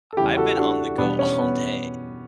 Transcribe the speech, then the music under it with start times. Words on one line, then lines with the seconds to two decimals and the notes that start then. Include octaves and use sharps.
I've been on the go all day,
0.13 A4
0.17 E2 C#3 E3 G3 E4 G4
0.37 F#4 A4
0.57 D4 F#4
0.98 E2 B2 G3 B3 D4
1.19 C#4
1.39 B3